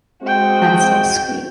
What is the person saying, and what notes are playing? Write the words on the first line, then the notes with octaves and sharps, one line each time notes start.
That's so sweet.
G#3 C4 F#4 G5